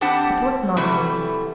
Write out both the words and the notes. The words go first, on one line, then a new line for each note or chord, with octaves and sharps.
But what nonsense....
E2 C4 D4 G4 F#5 A5
C3 E3 G3 A3 F#4